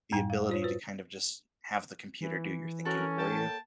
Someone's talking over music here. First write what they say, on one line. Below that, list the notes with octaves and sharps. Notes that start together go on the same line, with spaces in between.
the ability to kind of just have the computer do your thinking for you,
F#2 A2 G3 D#4 G5 G#5
F5
F4 C5 C#5
F4 F#4 B4 C5
E3
C#4 F#4 A4 A#4 C#5
A#3 G5 A5